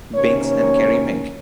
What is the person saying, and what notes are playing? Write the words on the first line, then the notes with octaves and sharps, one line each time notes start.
Binks and Kerry Pink.
C3 D#3 A#3 C#4 C#5
C#5